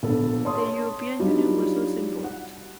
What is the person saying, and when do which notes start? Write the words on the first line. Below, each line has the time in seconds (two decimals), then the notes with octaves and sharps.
The European Union was also involved.
0.03 A#1 B3 A4
0.45 C#5 A5 C6 D#6
1.20 F#3 G3 D4 D#4 F4
2.24 F#5